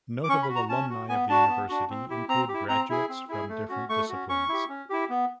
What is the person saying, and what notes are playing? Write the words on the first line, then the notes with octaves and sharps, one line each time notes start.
Notable alumni of the University include graduates from different disciplines.
D6
C#4 C#6
B5
F#4
A#5
C#4 A5
F#4
B3 G#5
D4 F#4 A5
B3
D4 F#4
C4
E4 G4
C4 A#5
E4 G4
C4 A#5
E4 G#4
C4
E4 G#4
A3
C#4 F#4
A3 C#6
C#4 F#4
C#4 C#6
E4 G4
C#4
E4 G4
B3